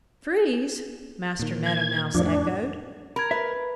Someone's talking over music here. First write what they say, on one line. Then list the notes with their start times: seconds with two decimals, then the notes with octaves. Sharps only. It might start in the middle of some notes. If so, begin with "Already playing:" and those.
"Trees!" Master Meadow Mouse echoed.
1.40 A#2 D#3
1.66 G#6
2.15 F2 A2 F3 D4
2.26 D4
3.16 A#4 B5 G#6
3.31 B4 E5